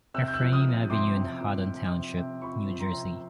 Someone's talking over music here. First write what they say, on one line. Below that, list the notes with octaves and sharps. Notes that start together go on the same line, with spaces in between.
Ephraim Avenue in Haddon Township, New Jersey.
C3 E6 F#6
G6
E6 F#6
F3
D#6 F6
F3
C3 C6 D6
C3
F3
F3
C3
C3
F3 B5 C#6
F3
A#5 C6
C3